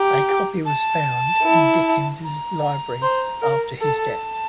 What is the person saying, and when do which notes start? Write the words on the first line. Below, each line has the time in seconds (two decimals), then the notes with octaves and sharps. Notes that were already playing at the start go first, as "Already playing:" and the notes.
A copy was found in Dickens's library after his death.
Already playing: G4 A#5
0.65 A5
1.45 E4
2.24 A#5
3.02 C5
3.42 A#4
3.81 A4 A5